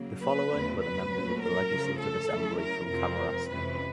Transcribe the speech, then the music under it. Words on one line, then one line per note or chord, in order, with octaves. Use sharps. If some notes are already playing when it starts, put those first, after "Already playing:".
The following were the members of the Legislative Assembly from Kamouraska.
Already playing: C#3 F#3 A#3
B4
E2 C#3 F#3 A3 C4
B4
A#2 F#3 A3 C#4
A#4
C#3 F3 A3
A4
C#3 F#3 A3 C#4 E4
A#4
F2 C3 F3 G#3 C4 A#4
F2 C3 E3 G#3 C#4 B4